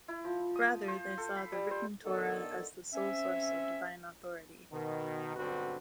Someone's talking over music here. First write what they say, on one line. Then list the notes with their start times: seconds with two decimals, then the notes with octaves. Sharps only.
Rather, they saw the written Torah as the sole source of divine authority.
0.08 E4
0.24 F3
0.56 D#6
0.88 C5
1.18 A4
1.37 B5
1.52 G3
1.71 C5
2.04 D3 D#3 B3 A4
2.93 C4 C#4 E5
4.72 B2 D#3
5.36 B1 G2 D3 C4 F#4 B4